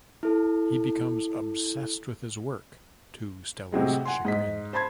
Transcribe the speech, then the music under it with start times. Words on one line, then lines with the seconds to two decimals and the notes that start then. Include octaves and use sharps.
He becomes obsessed with his work, to Stella's chagrin.
0.23 E4 A4
3.72 A2 C3 F#3 G#3
4.05 F#5 G#5 C6
4.25 G#2 D#5 B6
4.73 C5 A5 B5 C6 G#6